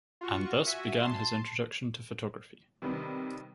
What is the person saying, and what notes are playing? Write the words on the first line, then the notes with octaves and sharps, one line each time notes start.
And thus began his introduction to photography.
F4 F#4 C#6
F#4 E5 G#5
A5 C6
C3 D#3 G3 B3